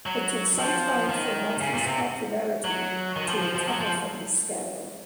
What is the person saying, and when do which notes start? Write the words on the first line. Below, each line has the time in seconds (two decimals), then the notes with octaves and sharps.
It took some time for Matthews' popularity to recover from this scandal.
0.06 F#3
0.58 F3
1.09 D#3
1.61 C#3
1.74 A#2
1.87 C3
2.64 F#3
3.16 D#3
3.29 F3
3.42 F3
3.55 F3
3.68 F#3
3.80 F3